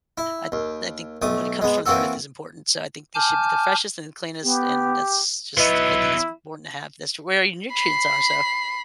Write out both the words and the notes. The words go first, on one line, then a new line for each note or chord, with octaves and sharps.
I I think when it comes from the earth is important, so I think this should be the freshest and the cleanest, and that's just I think it's important to have this to where your nutrients are, so,
E4
D#2
B1 A3 D#6
G#3 B3
E3 A#3 C4 F#4 A4
G#5 A5 D6 F6 G6
B3 G4
F#3 B3 E4 B4 D#5
B5 C7